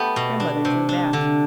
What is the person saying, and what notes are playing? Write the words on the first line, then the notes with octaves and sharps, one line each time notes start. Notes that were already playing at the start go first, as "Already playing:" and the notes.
Grandmother drew back.
Already playing: A3 B3 G4
B2
D4
C3
D4
D3